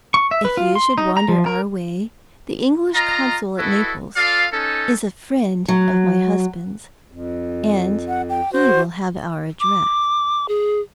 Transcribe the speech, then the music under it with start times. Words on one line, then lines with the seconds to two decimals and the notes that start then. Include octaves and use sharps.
If you should wander our way, the English consul at Naples is a friend of my husband's, and he will have our address.
0.14 C#6
0.31 E5
0.45 B4
0.57 F4
0.75 C6
0.98 D#4
1.17 A#5
1.28 F3
1.46 A#4
2.95 F4 D#5 A#5
3.58 E4 F#4 A4 B4 D#5
4.16 F4 A4 D5 F5
4.52 C#4 D#4 A4
5.68 F#3
7.11 F2
8.08 F#5
8.30 G5
8.53 F#4 C5
9.60 D6
10.49 G#4